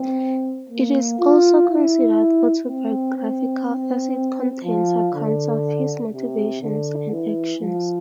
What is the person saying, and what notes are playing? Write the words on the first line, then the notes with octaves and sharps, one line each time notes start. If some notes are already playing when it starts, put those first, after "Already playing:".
It is also considered autobiographical as it contains accounts of his motivations and actions.
Already playing: C4
A#3
F4
E4
C4
C4
C4
F3
D3
C3
D3
E3
F3